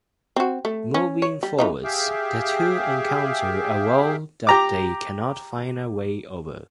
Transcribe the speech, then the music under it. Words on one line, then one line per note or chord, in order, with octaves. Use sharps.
Moving forward, the two encounter a wall that they cannot find a way over.
C4 F#4
A3
C#4
C#5
G3
C#3 E3 D#4
G4 G#4 E5 F5 G5
G4 A#5 D6